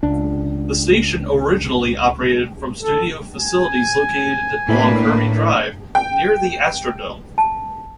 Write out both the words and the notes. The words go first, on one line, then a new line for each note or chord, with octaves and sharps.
The station originally operated from studio facilities located along Kirby Drive, near the Astrodome.
C#2 D4
A4
G#5
A2 A#3 D4 B4
G5
A5